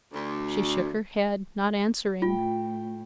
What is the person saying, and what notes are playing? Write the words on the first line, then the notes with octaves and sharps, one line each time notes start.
She shook her head, not answering.
D2
A2 F4 G5